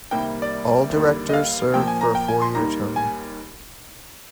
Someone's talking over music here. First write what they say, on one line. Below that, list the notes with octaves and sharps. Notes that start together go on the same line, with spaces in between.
All directors serve for a four-year term.
C2 C3 D#3 G3 A#3 G5
D5
D#2 D3 G3 A#3
D#5
F5
A#2 F3 A#3 G5
G#5
A#5
G5
G#5
C6
D#2 D#3 G3 A#3 A#5
G#5